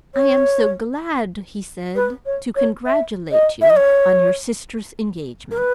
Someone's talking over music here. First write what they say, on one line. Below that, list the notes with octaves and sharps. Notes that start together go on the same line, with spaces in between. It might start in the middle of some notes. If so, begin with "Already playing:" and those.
"I am so glad," he said, "to congratulate you on your sister's engagement."
C#5
B4
C#5
C#5
E5
D#5
E5
D#5
C#5
A#4
B4